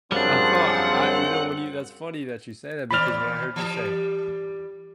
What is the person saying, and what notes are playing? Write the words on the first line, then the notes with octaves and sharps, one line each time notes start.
Uh-huh, I You know, when you That's funny that you say that, because when I heard you say
F#2 C#3 F3 G3 C4 D4 F#5
D#2 C4 D5 B5 F6
E3 G3